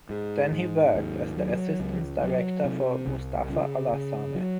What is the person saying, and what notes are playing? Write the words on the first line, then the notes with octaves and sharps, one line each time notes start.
Then he worked as the assistant director for Moustapha Alassane.
G#2
G#2
D#2
F#3
C#2
F#3
C3
C2
C#3
C#3
F#3